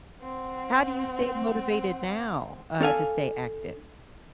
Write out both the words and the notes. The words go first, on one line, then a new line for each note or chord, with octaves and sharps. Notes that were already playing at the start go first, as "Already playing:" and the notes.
How do you stay motivated now, uh, to stay active?
C4 F#5
D4 A4 F5 G#5